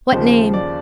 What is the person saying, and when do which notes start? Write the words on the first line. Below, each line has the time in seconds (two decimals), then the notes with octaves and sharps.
What name?
0.12 D#2 C#3 F3 C5
0.53 D5